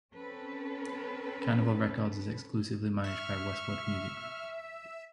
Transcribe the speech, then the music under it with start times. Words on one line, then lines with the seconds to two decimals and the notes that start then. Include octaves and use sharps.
Carnival Records is exclusively managed by Westwood Music Group.
0.14 C4 C#4 A4 B4
3.04 E5 C#6 F6